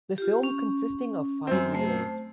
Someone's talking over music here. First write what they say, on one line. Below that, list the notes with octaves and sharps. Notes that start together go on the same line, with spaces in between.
The film consisting of five reels.
F4 G4
C#4
F#2 C4
A3 C5